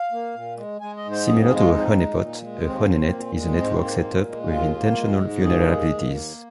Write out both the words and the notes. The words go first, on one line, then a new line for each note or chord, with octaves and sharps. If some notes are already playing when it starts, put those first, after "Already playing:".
Similar to a honeypot, a honeynet is a network set up with intentional vulnerabilities.
Already playing: F5
A#3
A#2
G#3
G#3 G#5
D#5
G#2
C5
F2 G#4
G#4
G#3
F4
F2 D#4
G#3
A#2
G#3
D#2 C4
A#3
A#2
G#3
G#2 C4
A#3
A#2
G#3
D#2 F4
A#3
G#3
G#2
D#2 G#4
G#3
D#2
A#3